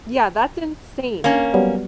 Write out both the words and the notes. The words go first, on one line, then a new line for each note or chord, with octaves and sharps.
Yeah. That's insane.
A#3 C#4
F#3 G3 B3